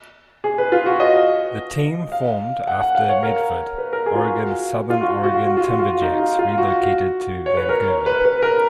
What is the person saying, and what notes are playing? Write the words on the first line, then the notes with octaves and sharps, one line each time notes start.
The team formed after Medford, Oregon's Southern Oregon Timberjacks relocated to Vancouver.
G#4
B4
F4
F#4
D#5
F5
F#5
F#5
F5
C#5
A#4
B4
A#4
G#4
F4
F#4
F4
F#4
F4
F#4
F4
F#4
F4
F#4
F4
D#4
F4
F4
F#4
C#5
B4
A#4
C#5
B4
B4
A#4